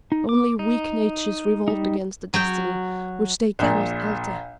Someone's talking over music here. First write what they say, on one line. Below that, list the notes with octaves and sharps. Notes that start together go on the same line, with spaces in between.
Only weak natures revolt against a destiny which they cannot alter.
D#4
D6
D#4
G3 D#4
F#3 F#4 G5
A#1 A#2